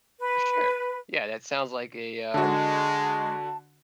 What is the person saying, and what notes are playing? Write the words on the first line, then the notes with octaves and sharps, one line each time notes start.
For sure. Yeah, that sounds like a, um,
B4
D3 G#3 F#4 A5